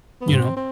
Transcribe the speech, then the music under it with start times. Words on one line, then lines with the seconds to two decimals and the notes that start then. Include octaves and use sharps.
you know?
0.21 B3
0.28 G2
0.33 G#2 C4
0.57 C4